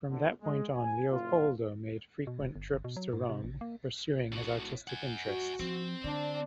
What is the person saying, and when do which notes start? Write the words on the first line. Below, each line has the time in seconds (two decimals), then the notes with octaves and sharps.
From that point on Leopoldo made frequent trips to Rome, pursuing his artistic interests.
0.10 G1 D3
0.42 G#3
0.73 G#5
1.11 F#1 A#2 F4
2.27 B2
2.40 E1
2.56 G1
2.73 G#1
2.84 B2
2.97 F#3
3.13 G#2
3.29 C3
3.44 A1
3.61 A#3
4.33 A2 F#4
4.88 F#5 G#5
5.26 F#4
5.60 F3 C4
6.04 D3 D4 D5